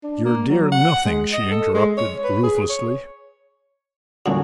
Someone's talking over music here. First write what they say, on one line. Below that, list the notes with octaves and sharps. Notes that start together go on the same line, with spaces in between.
"Your dear nothing!" she interrupted ruthlessly.
D4
A#3
F#3
F#5
G#3
D#5
A4
G#3
C#5
B4
G#4
C#5
E2 A#2 D3 C#4 F#4